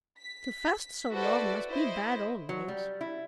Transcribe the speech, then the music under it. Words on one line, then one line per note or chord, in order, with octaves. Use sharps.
"To fast so long must be bad always."
B6
E4 F#4 A4 B4 C5 D5
E4 C5 D#5
F#3
G3
E4